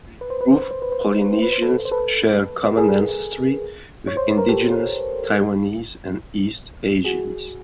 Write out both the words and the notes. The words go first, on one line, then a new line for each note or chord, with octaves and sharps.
They prove Polynesians share common ancestry with indigenous Taiwanese and East Asians.
B4
C5
B4
C5
B4
C5
B4
C5
B4
C5
B4
C5
B4
C5
A4 B4
C5
A4 B4
G#4 A#4
C#5
C5
B4
A#4
G4 A4
F#4 G#4